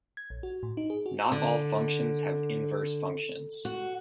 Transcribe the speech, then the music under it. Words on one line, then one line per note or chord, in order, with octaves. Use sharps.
Not all functions have inverse functions.
G#6
A#1
F#4
A2
D#4
G#4
F#4
D3
F#4